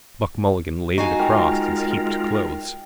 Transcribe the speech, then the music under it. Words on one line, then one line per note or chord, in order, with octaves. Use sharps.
Buck Mulligan laid it across his heaped clothes.
D#4 F#4 F5 G#5
G#3 F4 A#4 G5